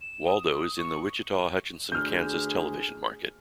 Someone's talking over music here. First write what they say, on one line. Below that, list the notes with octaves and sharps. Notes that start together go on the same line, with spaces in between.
Waldo is in the Wichita-Hutchinson, Kansas television market.
E7
D#6
D#6
C#6
D2 G#4 F6 G6